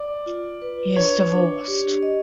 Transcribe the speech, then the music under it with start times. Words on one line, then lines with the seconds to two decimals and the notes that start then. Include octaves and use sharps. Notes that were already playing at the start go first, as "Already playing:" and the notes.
He is divorced.
Already playing: D5
0.26 F4
0.62 B4
0.96 D4 C#5
1.32 D4
1.68 G4
2.03 D#5